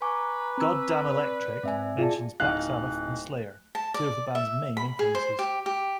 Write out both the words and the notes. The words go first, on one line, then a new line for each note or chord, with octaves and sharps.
"Goddamn Electric" mentions Black Sabbath, and Slayer, two of the band's main influences.
B4 G#5 A#5 C#6 D6
C4 E6
D5
G#2 C4 E5 G#5
F4 G#4 D5 A5
D1 D#4 F5 F#6
A5
D5
E5
B5
G#4
C5
G4
G4